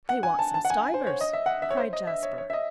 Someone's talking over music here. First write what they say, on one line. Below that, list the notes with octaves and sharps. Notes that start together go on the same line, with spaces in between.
"They want some stuivers," cried Jasper.
F#5
G#5
A5
A5
F#5
G#5
C5
C#5
D#5
E5
F#5
E5
C#5
C5
D#5
E5
C#5
C#5
E5
D#5